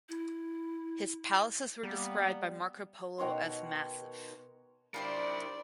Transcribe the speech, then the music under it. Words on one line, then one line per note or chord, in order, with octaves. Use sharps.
His palaces were described by Marco Polo as massive.
E4
G3 A#3 B3
B2 D#3 C#5 C6
D4 E4 F4 G4 A#4 C5 D5 B5